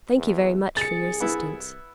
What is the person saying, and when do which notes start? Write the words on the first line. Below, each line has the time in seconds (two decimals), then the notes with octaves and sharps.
Thank you, very much, for your assistance.
0.17 E2
0.77 C2 G#4 A6 C#7
1.20 B3 E4